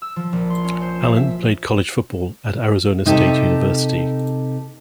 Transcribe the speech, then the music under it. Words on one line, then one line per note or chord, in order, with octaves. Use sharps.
Allen played college football at Arizona State University.
E6
F3
A#1
C6
C#4
C5
E7
E5
C3 D#4 G4 A4